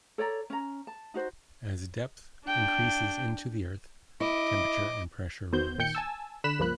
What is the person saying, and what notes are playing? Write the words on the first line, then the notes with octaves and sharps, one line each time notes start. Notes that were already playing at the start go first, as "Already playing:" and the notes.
As depth increases into the Earth, temperature and pressure rise.
A4 C#5 D5 A#5
C#4 A#5
A5
D#4 F#4 C5
D4 G5
E4 D#5 D6
D#3 B3 F#4 C5 G6
A#2 D#3 G5 G6 C#7
G#5 A5 E6
D3 B5 F#6 B6 E7
C#2 G2 F3 A#3 B5 F#6